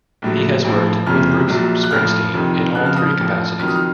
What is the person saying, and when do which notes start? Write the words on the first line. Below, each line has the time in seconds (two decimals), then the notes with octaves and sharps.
He has worked with Bruce Springsteen in all three capacities.
0.22 A#1 A2 F#3
0.65 A1 A2 F3
1.07 F#1 F2 C3 F6
1.48 A#1 A#2 F#3
1.84 F#6
1.91 A1 A2 F3 F6
2.34 F2 C3 D#3
2.75 F2 C#3 F3 F#6
2.86 F6
2.96 D#6
3.07 F6
3.17 A1 A2 F3
3.59 F2 D#3 F#3 F6
3.68 D#6
3.76 F6